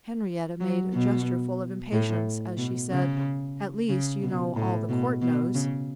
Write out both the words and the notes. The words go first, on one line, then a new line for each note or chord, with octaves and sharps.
Henrietta made a gesture full of impatience, as she said, "At least, you know all the court knows."
F#3
B2
A2
B2
C#3
C#3
B2
A2
B2
B2
C#3